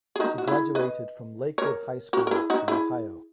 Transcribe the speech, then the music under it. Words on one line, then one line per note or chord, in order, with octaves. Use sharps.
She graduated from Lakewood High School in Ohio.
G#4
D#4 F#4
F#4
E4 G#4
B4 D#5
A#4 C#5
F#4 A#4
A#4
E4 G#4
D#4 F#4
E4 G#4